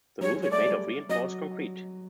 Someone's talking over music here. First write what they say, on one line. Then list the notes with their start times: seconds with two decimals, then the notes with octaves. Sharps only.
The roof is made of reinforced concrete.
0.21 F#3 C#5
0.36 G#3
0.43 C#5
0.51 A3 D5
0.66 G3
1.09 F#3 D#5